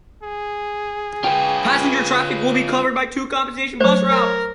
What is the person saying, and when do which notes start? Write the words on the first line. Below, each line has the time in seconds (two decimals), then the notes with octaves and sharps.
Passenger traffic will be covered by two compensation bus routes.
0.23 G#4
1.24 F4 B4 G5
3.81 F#3 A3 C5 C#5
4.10 A#4